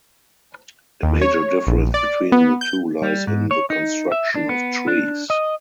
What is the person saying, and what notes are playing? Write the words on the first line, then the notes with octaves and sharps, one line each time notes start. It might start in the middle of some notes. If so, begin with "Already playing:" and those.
A major difference between the two lies in the construction of trees.
D#2
C#5
A#1
D5
B3
G6
G3
G#2
C#5
D#4
E5
D4
B3
D4
D#5